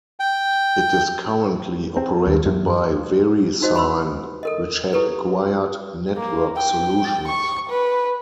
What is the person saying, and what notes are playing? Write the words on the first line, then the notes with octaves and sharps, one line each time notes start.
It is currently operated by VeriSign, which had acquired Network Solutions.
G5
C4
D#2
F#2
D#4 F#4 C5 D#5
B5 C6 E6
A4 A#4 D#5
E4 G4 A4 B4
A#3
G5
C#6
B4